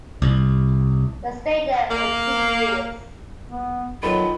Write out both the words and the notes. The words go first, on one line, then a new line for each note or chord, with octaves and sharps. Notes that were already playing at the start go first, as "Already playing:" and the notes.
They stayed there for two years.
C2
A#3
B3
D#3 F#3 B3 F4 A4 B5